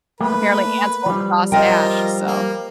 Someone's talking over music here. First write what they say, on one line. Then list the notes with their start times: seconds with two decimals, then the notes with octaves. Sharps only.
apparently ants won't cross ash so
0.21 A3 A#3 B4
1.06 F3 G3
1.52 F4 A#4 C5 D#5 G5
2.26 A#3